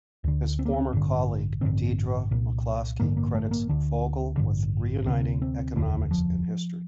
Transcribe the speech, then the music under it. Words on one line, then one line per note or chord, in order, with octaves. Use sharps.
His former colleague Deirdre McCloskey credits Fogel with "reuniting economics and history".
D2 D3
C4
A#3
C4
A1 G2 D3
A1 G2 D3 C4
C2 A#2
A1 G2 D3 A#3
A#3
A3
A#3
D2 D3 D4
A1 G2 D3
D2 C3 C4
C4
F1 D#2 D3 A3
F3